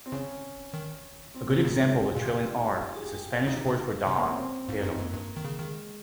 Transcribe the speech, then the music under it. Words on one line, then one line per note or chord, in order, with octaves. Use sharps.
A good example of a trilling R is the Spanish word for dog, "perro".
C4
C#3 C#4
D#3
C4
A#3
C#3 G#3
D#4
C#4
G4
A#2 F4
C3 G4
F4
D#4
G4
F4
F4
G#4
G4
G4
F4
C#3 D#4
C3
C#3
C3 C#4
A#3
C4
C4
G#2 F4
D#4
G2
C4
F2 A#3
G2
D#3
C#3
D#3 G#3